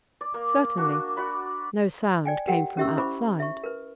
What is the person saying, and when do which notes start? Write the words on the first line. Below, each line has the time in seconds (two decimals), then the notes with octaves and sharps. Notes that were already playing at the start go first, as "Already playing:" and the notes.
Certainly no sound came from outside.
0.21 D5
0.34 A#3
0.77 D4 F#4
1.17 F#4 D5 B5
2.25 D5 G5 G#5
2.47 G4 A#4 F#5 G5
2.77 C#4 G4 E5 C#6 E6
2.97 E4 C5 B5 C#6 D6
3.40 E5 C#6
3.64 A#4 B4